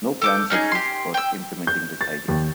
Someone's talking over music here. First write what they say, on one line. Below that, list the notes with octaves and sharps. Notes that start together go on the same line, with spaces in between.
No plans exist for implementing this idea.
A4 D6 G6
C#4 D#4 E4 G#4
G4 C6
G5 E6
G6
A6
D#2